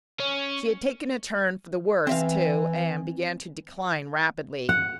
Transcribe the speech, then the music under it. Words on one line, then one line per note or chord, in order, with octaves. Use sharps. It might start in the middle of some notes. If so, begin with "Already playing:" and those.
She had taken a turn for the worse, too, and began to decline rapidly.
C#4
E3 C4 E5 F5
F#5